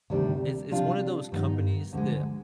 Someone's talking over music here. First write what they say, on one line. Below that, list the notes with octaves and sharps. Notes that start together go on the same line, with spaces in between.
it's it's one of those companies that
D2 C3 D#3 G3 D4
C3 G3 D4 F4
G2 D#3 B3 D#4
D2 D3 G#3